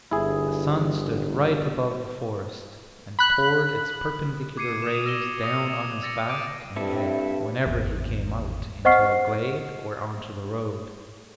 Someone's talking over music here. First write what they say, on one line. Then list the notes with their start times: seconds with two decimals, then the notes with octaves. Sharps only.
The sun stood right above the forest and poured its perpendicular rays down on his back and head whenever he came out into a glade or onto the road.
0.11 G1 E4 G#4
3.19 B5 F#6
4.57 D6 G#6 C7 C#7 D#7
4.82 D#6 E7
5.06 E6 A#6 E7 G7
5.44 D#6 A#6 C#7
6.02 E6 A6 A#6 C#7
6.29 D6 G6 D7 D#7
6.76 G2 C4 E4 A4
7.66 G#1 E2
8.85 C5 D#5 F#5 C#6 F6 C7